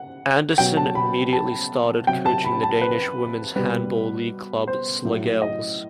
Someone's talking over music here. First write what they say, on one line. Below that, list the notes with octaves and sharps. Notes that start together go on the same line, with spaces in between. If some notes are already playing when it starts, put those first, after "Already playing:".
Andersen immediately started coaching the Danish Women's Handball League club Slagelse.
Already playing: F#5
B2 F#3 G5
A5
B5
A5
C3 F#3 G5
A5
B5
A5
B4
B2 G3 B4
C5
A2 F#3
D#5